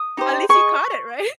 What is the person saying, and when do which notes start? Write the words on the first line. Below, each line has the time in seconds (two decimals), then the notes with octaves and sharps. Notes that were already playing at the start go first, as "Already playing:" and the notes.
At least you caught it. Right?
Already playing: D#6
0.17 D#4 G4 C5
0.49 G#4 D#5 C#6